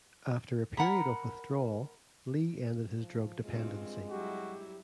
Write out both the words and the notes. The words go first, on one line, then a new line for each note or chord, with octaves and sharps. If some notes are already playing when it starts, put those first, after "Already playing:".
After a period of withdrawal, Lee ended his drug dependency.
A#4 F#5 A#5 B5
F3
G2 G#3 C4 F4
F#3 G3 E4 F#4 G4